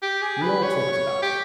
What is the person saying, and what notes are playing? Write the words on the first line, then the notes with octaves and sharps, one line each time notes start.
We all talked about it.
G4
G#4
B4
C#5
C#5
G4